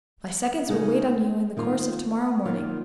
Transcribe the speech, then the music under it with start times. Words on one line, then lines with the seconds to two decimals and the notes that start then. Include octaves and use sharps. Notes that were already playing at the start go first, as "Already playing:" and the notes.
My seconds will wait on you in the course of to-morrow morning.
0.69 C#3 G#3 D#4 F#4
1.57 D#3 A#3 F4
2.45 D#3 A#3 F4